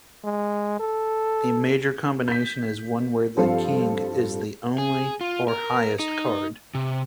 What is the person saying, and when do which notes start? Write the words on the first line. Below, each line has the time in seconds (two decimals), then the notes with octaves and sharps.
A "major" combination is one where the King is the only or highest card.
0.25 G#3
0.80 A4
2.28 G6 B6
3.37 G2 F3 C4 A4 F5
4.78 G#4
5.21 F4
5.48 A#4
5.99 D#4
6.75 C3